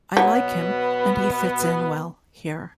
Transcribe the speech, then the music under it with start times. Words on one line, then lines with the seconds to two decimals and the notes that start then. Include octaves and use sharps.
I like him and he fits in well here.
0.17 B2 F#3 B3